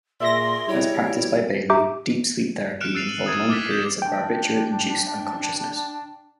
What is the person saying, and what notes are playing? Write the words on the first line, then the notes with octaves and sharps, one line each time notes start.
As practised by Bailey, deep sleep therapy involved long periods of barbiturate-induced unconsciousness.
A#2 G#4 A#4 D5 E5 C6 A#6
G3 E4 C#5 D7
G4 E5 A#5 D6 G6
F6 F#6 C#7 D7 E7 F7
E6 F#6 A6 C7 D#7 F7
F#7
D#6 G#6 A6 D#7
D6 F6 A6 B6
G6 E7
D4 G5